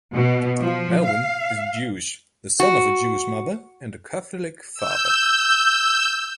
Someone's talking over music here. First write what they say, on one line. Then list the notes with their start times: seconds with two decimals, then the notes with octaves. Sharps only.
Melvin is Jewish, the son of a Jewish mother and a Catholic father.
0.15 B2
0.62 F3
1.05 F5
2.60 F#4
4.74 E6 G6